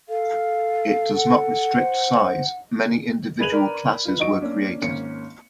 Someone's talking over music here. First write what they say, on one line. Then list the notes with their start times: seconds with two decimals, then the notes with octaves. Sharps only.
It does not restrict size-many individual classes were created.
0.09 A4 F5
1.15 F#5
1.76 C5
3.39 G#4 B4 G#6 D#7 F7 F#7
3.52 A#4 B4 D5 A#5 B5
4.05 F4 B4
4.19 F#3 D#4 D#5 C#6 D7
4.40 A#3 C#4 D4
4.82 G#1 A#3 C#4 C#7